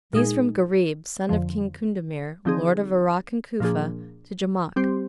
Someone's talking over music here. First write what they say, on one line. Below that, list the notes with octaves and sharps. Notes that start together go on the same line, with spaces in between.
These from Gharib, son of King Kundamir, lord of Irak and Cufa, to Jamak.
A#2 G#3 D#4 G#4
F2 D3 F3
D3 F3 C4 D#4 G#4
A#2 F3 A#3 D4 G#4
G3 C4 G4 C5